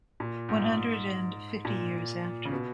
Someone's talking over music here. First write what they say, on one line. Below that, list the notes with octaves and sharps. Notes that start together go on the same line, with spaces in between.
One Hundred and fifty years after.
A#2
G#2
G#2
A#2
C#3
B2